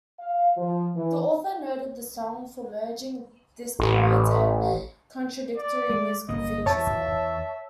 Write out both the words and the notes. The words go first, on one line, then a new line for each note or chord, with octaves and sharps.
The author noted the song for merging disparate and contradictory musical features in it.
F5
F3
E3
A1
D5
G#3
G1 A#3 D#5
E2 C#5 E5 A5